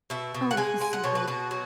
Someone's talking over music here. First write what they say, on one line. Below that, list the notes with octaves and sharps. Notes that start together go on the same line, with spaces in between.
Oh, he's so good.
B2 E5
B2
F#5
G#3 G#5
G#3 G#5
F#5
B2 C#5
B4
B2 F#4
F#3